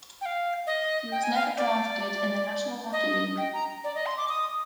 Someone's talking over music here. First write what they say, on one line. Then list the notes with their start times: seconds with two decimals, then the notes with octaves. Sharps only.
He was never drafted in the National Hockey League.
0.21 G5
0.26 F5
0.67 D#5
1.12 G5
1.23 G#5
1.35 F5
1.57 D5
2.92 D#5
3.38 G5
3.54 A#5
3.84 D5
3.95 D#5
4.06 C6
4.17 D6
4.29 D#6